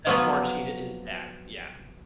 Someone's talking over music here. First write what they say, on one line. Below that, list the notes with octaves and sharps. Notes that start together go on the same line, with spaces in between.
That's Martin Sheen, his dad. Yeah.
F3 F#3 B3